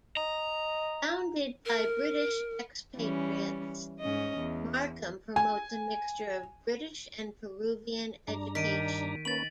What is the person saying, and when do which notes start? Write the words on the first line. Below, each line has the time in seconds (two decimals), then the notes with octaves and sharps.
Founded by British expatriates, Markham promotes a mixture of British and Peruvian education.
0.17 D#5 A#5
1.66 A#4
2.96 E3 G3 C#4
4.00 G#2 C#4 D#5
4.37 E2
5.36 G#5
8.28 G2 D4 A#5
8.55 D#3 B6 D7 D#7
9.25 A#3 C#4 B4 A6 F#7